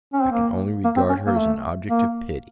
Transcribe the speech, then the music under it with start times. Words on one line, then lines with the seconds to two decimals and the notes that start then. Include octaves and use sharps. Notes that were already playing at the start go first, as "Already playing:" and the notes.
I can only regard her as an object of pity!
0.13 C#4
0.22 C4
0.32 A#3
0.84 A#3
0.97 C4
1.10 C#4
1.26 A#3
1.36 A3
1.89 A#3